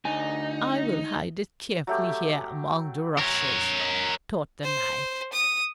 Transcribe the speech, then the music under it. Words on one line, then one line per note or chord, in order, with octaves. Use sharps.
"I will hide it carefully here among the rushes," thought the knight.
D2 D#4 G#5
F#3 A3 G4
A#4 C#5 G#5 C6
D#5
C5
D#6